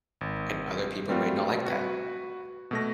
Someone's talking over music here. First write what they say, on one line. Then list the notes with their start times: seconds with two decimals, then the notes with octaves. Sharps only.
and other people might not like that.
0.21 G#1
1.09 G3 A3 C4 F4 F#4
1.66 F#4 B4
2.71 B2 A3 A#6